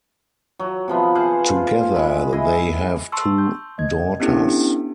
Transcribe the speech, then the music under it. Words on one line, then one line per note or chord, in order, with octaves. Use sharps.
Together they have two daughters.
F#3
C3 F3 B3
G#4 C5 F5 F#5
F4
G#3 B5
E4 G#4 D#5
A5 C6 C#6 E6
G6
D#5 G#6
B3 C#4 D4 E4 G4 A4